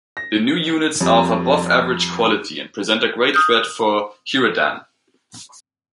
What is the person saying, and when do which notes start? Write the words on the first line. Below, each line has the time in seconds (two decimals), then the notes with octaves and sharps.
The new units are of above-average quality and present a great threat for Heradan.
0.17 A#6
1.01 F2 G3
3.34 D#6 F6 G6